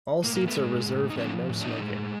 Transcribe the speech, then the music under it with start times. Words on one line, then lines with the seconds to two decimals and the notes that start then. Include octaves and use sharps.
All seats are reserved and no-smoking.
0.24 A2 A#3
0.36 A#3
0.48 A3 B3
0.56 G#3
0.86 A2
1.10 D#4
1.17 F3 C4 D4
1.48 A2
1.61 D4
1.65 C#4 D#4
1.80 G#3